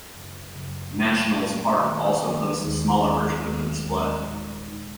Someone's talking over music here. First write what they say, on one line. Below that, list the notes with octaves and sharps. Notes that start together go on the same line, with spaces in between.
Nationals Park also hosts a smaller version of the display.
F#2 C#3 F#3
F#2 C#3 F#3
A#2 F#3 A#3
A#2 F#3 A#3
D#3 A#3 F#4
D#3 A#3 F#4
D#2 D#3 G#3 D#4 G#4
D#2 D#3 G#3 D#4 G#4
D#2 D#3 G#3 F#4
D#2 D#3 G#3 F#4
A#2 G#3 D#4
A#2 G#3 D#4